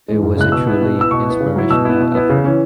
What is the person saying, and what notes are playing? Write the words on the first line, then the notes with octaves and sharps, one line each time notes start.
It was a truly inspirational effort.
E3 G#3
F#2
C#3 G#3 E4 F#6
B2 E6
B3 E4
B2
B3 E4 E6
B2 C#6
B3 E4
C#3
F#3 E4
B2 E6
B3 E4
B2
B3 E4
C#3
E3 C#4